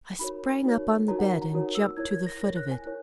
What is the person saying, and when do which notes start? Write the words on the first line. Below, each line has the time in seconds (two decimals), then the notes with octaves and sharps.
I sprang up on the bed and jumped to the foot of it.
0.19 D#4 F#4 A#4 C#5 B5
0.64 D#4 F#4 A#4 C#5
1.08 D#4 F#4 A#4 C#5 A#5
1.19 F#5
1.30 F#5
1.42 A#5
1.52 D#4 F#4 A#4 C#5
1.75 E6
1.97 E4 A#4 C#5 G#6
2.11 G#6
2.26 A#6
2.41 E4 A#4 C#5 A#6
2.56 F#6
2.71 G#5
2.86 E4 A#4 C#5